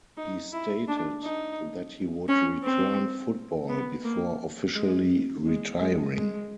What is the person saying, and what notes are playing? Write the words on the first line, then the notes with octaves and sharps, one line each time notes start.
He stated that he would return football before officially retiring.
D#4
E4
D4
D#4
C#4
C4
B3
A#3
G#3
G#3
G#3
G#3